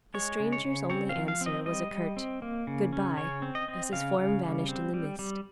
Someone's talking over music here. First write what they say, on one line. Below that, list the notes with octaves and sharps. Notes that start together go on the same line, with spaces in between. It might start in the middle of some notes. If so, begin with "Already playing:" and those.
The stranger's only answer was a curt "Good-by," as his form vanished in the mist.
G#3 C#5
C#3
C#5
C#3
C4 C#5
F5
F3
F5
C4
D#5
G3 D#5
G3
C4
A#3
C#3
C#4
C#3 C#5
C4
D#5
C4
C#3 F5
C#3
G3
C4
G3
G3